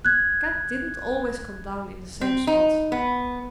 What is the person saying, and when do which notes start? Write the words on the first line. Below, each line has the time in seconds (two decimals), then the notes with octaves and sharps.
Kat didn't always come down in the same spot.
0.05 F#6 G#6
2.21 C4
2.47 D#4
2.92 B3